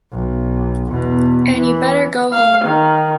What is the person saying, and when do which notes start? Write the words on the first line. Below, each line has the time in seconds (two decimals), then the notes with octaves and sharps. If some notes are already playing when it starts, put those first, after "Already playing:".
An' you better go home.
0.12 B1
0.90 E2 B2
1.56 E3
2.33 F5
2.65 D#3